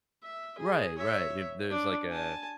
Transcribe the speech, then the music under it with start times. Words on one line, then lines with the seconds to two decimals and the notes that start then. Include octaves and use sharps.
Right, right. Y if there's like a
0.23 E5
0.58 G#4
0.98 C#5 E5
1.71 D4
2.09 G#5 A5